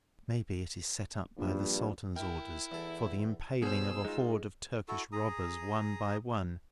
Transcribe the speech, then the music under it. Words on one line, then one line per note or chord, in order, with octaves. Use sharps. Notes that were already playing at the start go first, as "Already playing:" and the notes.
Maybe it is set up by the Sultan's orders for the impaling of a horde of Turkish robbers, one by one.
A#1 G2
E4 A#4 G5
E2 A4
B2 C#4 G#4 C5 E6
G#3 D#4 F4
E4 F#4 A4
G#4 A#5 D#6